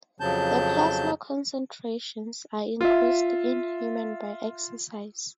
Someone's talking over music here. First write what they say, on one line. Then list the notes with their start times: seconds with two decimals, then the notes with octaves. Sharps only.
The plasma concentrations are increased in human by exercise.
0.20 F2 C#3 F3 F#3 A5 G6
2.81 F4 E5